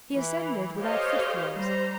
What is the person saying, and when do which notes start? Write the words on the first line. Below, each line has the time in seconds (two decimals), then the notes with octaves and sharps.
He ascended without footfalls.
0.16 E3
0.81 G4 A4 C5 C#5 D#5 F5
1.54 G3 C5 A#5